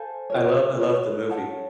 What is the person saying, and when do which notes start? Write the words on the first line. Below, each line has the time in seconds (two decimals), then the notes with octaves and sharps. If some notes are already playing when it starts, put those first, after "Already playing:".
I love I love the movie.
Already playing: A4 C5 F5 G#5
0.30 F4 A#4 C#5
0.80 F4 A#4 C#5
1.29 A4 C#5 F#5 A5